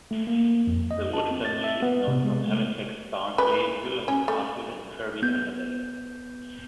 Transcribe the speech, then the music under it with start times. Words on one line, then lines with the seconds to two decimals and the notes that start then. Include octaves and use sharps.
The Wood family is known from Halifax, Barnsley, Middleham Castle, and Kirby Underdale.
0.11 A3
0.27 A#3
0.67 F2
0.91 D#5
1.13 A5
1.31 C4
1.45 A6
1.64 E5
1.82 B3
2.08 C3
2.24 G#3
2.48 A3
3.38 B4
4.08 C#4
4.28 A3
5.22 B3 G6